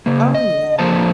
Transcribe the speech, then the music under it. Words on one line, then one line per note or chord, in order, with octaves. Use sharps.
Oh, yeah.
C#3 A#3
D#5
D3 F3 A#3 C5 A5